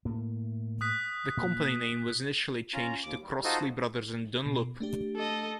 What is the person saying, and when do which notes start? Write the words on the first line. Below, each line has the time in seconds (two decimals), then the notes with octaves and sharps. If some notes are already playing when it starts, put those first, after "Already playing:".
The company name was initially changed to Crossley Brothers and Dunlop.
0.05 A2 A#3
0.81 D#6 F#6 B6
1.37 A#2
2.73 C#4 F4 A#5
3.04 D#2 D6
3.22 G3
3.44 D#4 F4 F#4 A4 C5 D#5
4.46 B2
4.80 A3 D4 G4
5.16 A4 D#5